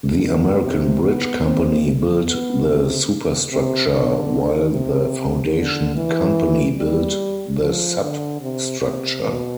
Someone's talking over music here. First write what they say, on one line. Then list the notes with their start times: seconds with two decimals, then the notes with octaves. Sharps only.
The American Bridge Company built the superstructure; while the Foundation Company built the substructure.
0.22 D3
0.62 C3
1.03 B3
1.44 C4
2.26 B3
2.67 C3
3.49 C3
3.90 D3
4.71 C3
5.54 D3
5.95 E3
6.77 G3
7.59 F3
8.00 D3
8.41 C3
8.82 C3
9.23 B2